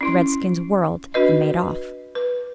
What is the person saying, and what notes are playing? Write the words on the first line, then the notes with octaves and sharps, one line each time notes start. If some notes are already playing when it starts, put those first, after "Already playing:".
The redskins whirled and made off.
C#4 E4 C6
D4 F#4 B4 D#5
B4